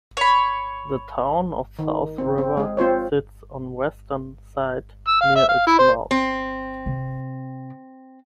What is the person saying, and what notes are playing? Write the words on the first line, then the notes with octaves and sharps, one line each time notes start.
The town of South River sits on western side near its mouth.
C#5 B5
D#3
C4
C4
G#3 G#4
C4 F4 C5 C#5
E6
F5
E5
F5
E4
C5
C4
C3